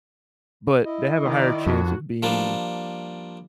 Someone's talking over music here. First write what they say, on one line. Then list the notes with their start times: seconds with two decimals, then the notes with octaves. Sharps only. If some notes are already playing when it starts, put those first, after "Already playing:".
but they have a higher chance of being,
0.85 E4 D#5
1.23 D#3 D5
1.66 F2 F#4
2.23 F3 G3 A#3 D4